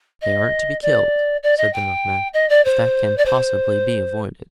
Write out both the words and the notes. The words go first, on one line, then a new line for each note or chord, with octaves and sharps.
"They aren't to be killed," said the milkman, "if that can possibly be avoided."
D#5
D5
D5
D#5
G5
D#5
D5
C5
D5
C5